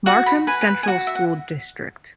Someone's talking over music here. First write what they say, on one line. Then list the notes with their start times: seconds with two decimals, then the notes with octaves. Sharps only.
Markham Central School District.
0.06 F#4 F#5
0.26 B5
0.47 B4 G#5
0.61 G#5
0.67 B5
0.83 G#5
0.88 F#4 F#5
1.07 E5
1.15 F#5